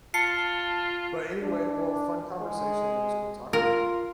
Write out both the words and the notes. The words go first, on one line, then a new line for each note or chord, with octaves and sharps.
but anyway, well, fun conversation, it was cool talking to you.
F4 A5 C7 C#7
D4
G#3
F4 A#4